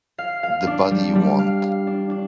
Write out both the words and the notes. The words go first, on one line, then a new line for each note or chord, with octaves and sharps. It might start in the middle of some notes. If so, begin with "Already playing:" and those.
The Body You Want.
F5
F5
D4
G3
G3
F5
F5
D4
D4